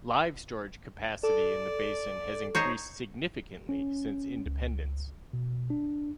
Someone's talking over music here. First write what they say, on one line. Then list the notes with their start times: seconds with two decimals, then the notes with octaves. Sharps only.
Live storage capacity in the basin has increased significantly since independence.
1.23 A4 D5
2.55 D#4 C5 C#5
3.69 C#4
4.46 C#2
5.33 B2
5.70 D4